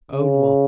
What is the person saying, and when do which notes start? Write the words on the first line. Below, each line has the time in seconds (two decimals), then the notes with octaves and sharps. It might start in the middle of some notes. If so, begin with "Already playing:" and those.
Own what?
0.11 C#3